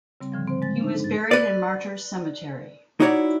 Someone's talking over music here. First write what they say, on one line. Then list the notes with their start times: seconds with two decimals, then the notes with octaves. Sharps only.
He was buried in Martyrs Cemetery.
0.21 C#3 G3 C4
0.32 A2 D3 F3 G3
0.47 C4 C5
0.62 G#3 A6
0.80 D4 D#4 C5
1.00 G#2 A6
1.31 B4 D5
3.00 D#4 E4 F#4 C#5 D5